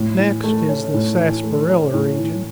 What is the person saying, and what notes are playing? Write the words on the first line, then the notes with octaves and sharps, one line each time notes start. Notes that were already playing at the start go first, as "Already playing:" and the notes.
Next is the sassparilla region.
Already playing: A2
E3
A3
C#4
A2
E3
A3
C#4
A2
E3